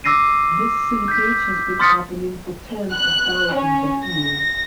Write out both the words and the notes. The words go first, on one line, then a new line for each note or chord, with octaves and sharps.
This seepage has been happening for tens of thousands of years.
D6 E6 A#6 C7 D#7
G6 B6
C6 D#6 F6 A6 B6 C#7
F#6
C#4
A#6